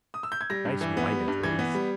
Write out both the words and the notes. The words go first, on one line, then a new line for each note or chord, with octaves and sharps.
Nice wine it is.
D#6
E6
G6
G#6
G3 A#6
G2
E3
B3
G3
G2
E3 G#6
B3
G3